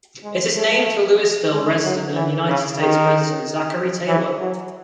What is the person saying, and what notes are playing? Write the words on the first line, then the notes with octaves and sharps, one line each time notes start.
It is named for Louisville resident and United States President Zachary Taylor.
G#3
A3
G#3
F#3
E3
C#3
D#3
E3
F#3